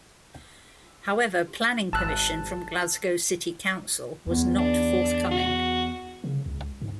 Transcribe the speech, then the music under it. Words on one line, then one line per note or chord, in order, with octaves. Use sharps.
However, planning permission from Glasgow City Council was not forthcoming.
G#1 A5 E6 F#6
E2 B3
D4
F#4
C#3
C#2
G#2